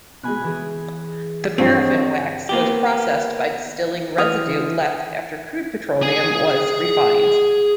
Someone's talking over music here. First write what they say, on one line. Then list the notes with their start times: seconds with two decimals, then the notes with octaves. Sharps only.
The Paraffin wax was processed by distilling residue left after crude petroleum was refined.
0.23 B2 G#3 G#5 B5 F#6
0.44 E3 G#4
1.58 G2 F3 G3 C4 C#5 D#5
2.49 A#3 B3 G4
4.18 E3 B4 D#6 F6 F7
6.02 G#4 G#5